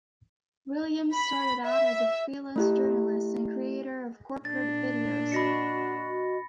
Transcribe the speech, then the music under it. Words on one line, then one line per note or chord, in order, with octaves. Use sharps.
Williams started out as a freelance journalist and creator of corporate videos.
B5
E5
A3 E4 G4
A#2 D4 A6
F#4 D#5 B5 A#6 C#7